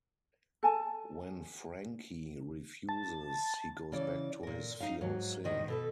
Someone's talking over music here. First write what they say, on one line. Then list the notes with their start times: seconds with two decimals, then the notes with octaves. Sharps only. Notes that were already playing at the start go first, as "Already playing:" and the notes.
When Francie refuses, he goes back to his fiancee.
0.63 A4 G#5 A5
2.89 A5
3.92 C#3 E3 D5
4.43 A#2 A#4
4.81 D#4 F5
5.01 G#2 F#3
5.44 E2 G#2 D#3 D#5
5.68 B2 A4 B4